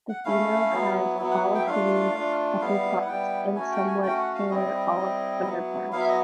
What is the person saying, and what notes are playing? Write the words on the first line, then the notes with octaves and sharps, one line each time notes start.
The female has olive-green upperparts, and somewhat paler olive underparts.
F#5
A3 C#4 E4 F5
F#3 B3 E4
F#3 B3 E4
F#5
G5
E5
A3 D4 F4 F5
A3 D4 F4
G3 B3 E4 F5
F#5
G3 B3 E4 G5
A3 C#4 F#4 G#5
G5
G#5
A3 C#4 F#4 G5
F#5
F5
G3 C4 E4 D#5
G3 C4 E4
F#3 B3 E4
F#3 B3 E4 F5
E5
D#5